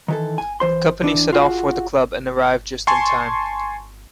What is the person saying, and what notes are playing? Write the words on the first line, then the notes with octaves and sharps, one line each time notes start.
The company set off for the club and arrive just in time.
D#3 E3 A4
G#5
E3 C5 C6
E3 D4 E4
F4 F#4 G#4
G#5 A5 C6 C#6